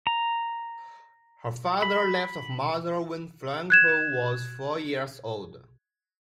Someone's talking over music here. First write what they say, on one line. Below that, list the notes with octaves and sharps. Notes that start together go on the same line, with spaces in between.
Her father left her mother when Frankel was four years old.
A#5
B5
F#6 G#6 E7